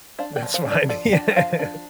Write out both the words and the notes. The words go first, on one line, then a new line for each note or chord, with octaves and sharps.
That's fine. Yeah.
D4 C5 F5
D5 G5
F3
C5 F5
D4
A4 D5
F3 A4 D5
D4 D5 G5
G5
F3 C5 F5
D4